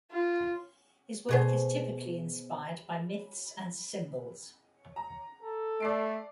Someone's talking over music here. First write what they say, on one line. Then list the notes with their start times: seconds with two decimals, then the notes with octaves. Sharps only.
His work is typically inspired by myths and symbols.
0.11 F4
1.29 B2 G#4 C5
4.96 A#5
5.43 A4
5.80 A3 D5 C7 D7